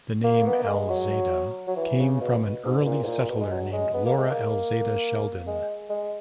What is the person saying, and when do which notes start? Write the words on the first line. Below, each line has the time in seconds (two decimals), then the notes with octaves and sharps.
The name "Alzada" came from an early settler named Laura Alzada Shelden.
0.24 A#3
0.47 B3
0.63 A#3
0.68 G#3
0.90 F#3
1.68 F#3
1.76 E3
1.99 C#3
2.21 B2
2.64 G#2
2.81 B2
2.86 A#2
3.03 G#2
3.07 A#2
3.30 B2
3.41 G#3
3.51 F#3
3.73 G#3
3.94 B3
4.06 A#3
4.18 G#3
4.30 A#3
5.47 G#3
5.90 G#3